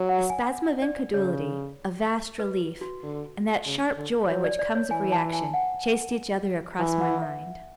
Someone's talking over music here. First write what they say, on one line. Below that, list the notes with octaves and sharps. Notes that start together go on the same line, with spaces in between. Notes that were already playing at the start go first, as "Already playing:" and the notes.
A spasm of incredulity, a vast relief, and that sharp joy which comes of reaction chased each other across my mind.
Already playing: F#3
F#5
G#5
D5
C#3 C#5
B4
F#4
D3
C#3
D3
F#3 C#5
D5
D5
C#5
E3 G#5
A5
G#5
F#5
E3 G#5
F#5
E5